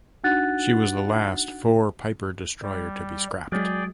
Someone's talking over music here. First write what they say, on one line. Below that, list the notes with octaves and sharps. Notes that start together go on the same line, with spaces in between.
She was the last "four piper" destroyer to be scrapped.
D4 D#4 F#4 F#5 F#6 A6
G3
F#3 G#3 G#4 D5 G5